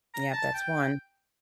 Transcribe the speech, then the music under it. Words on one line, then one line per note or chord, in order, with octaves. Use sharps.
Yep, that's one.
A#5
A5
G5